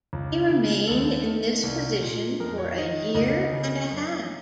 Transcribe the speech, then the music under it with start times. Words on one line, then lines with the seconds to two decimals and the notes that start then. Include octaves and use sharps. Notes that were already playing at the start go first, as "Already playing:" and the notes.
He remained in this position for a year and a half.
0.13 C#2
0.50 C#3
0.88 D#2 A4
1.26 D#3
1.63 C2
2.01 A#2
2.40 F2 A#4
2.58 C#5
2.78 D#3 D#5
3.15 C#2 D#5
3.53 C#3
3.91 F#2